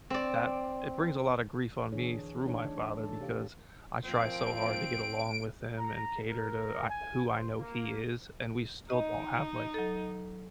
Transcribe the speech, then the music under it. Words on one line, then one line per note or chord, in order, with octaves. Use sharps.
that it brings a lot of grief on me through my father because I try so hard to get along with him and cater to I who I know he is, and we still don't have, like,
C4 D5
D3 E3 D4 G#4 C#5
E3 A3 D4 D#4 C#5
A3 A4
C3 G4 C#5 F5
A#2 F3 C4 D7
A#5
A#4
G#5
C5
A#3
D#4 D#5
F#3 A4